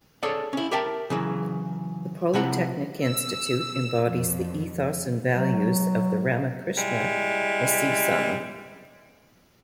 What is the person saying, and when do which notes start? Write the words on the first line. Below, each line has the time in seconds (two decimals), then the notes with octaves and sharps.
The Polytechnic institute embodies the ethos and values of the Ramakrishna Misison.
0.23 G#4 A4 C#5 D5
0.53 C#4 E4
0.71 G4 A#4 E5 G5 A5
1.10 C#3 E3 F#3
2.34 C3 F3 E4 F#5 A#5
3.05 E6
4.04 F2
5.34 F#3
6.77 G3 G#3 E4